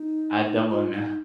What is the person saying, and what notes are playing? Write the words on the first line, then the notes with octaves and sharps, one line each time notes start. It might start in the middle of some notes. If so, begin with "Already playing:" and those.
I don't wanna.
Already playing: D#4
F4
D#4